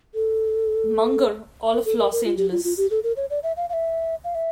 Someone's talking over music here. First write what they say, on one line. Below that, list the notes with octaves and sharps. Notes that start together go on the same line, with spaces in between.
Munger, all of Los Angeles.
A4
A#4
A4
A#4
A#4
F4
G4
F4
F4
G4
A4
A#4
C#5
D5
E5
F5
F5
E5
F5
E5